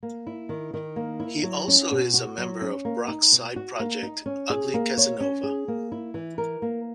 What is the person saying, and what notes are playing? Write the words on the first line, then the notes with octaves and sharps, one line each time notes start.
He also is a member of Brock's side project Ugly Casanova.
A#3
E4
D#3
D#3
A#3
E4
F#3
C#4
B2
F#4
F#3
C#4
A#3
D#4
B2
F#4
A#3
D#4
C#4
G#4
A#3
C#5
C#4
G#4
A#3
E4
E3
A#4
A#3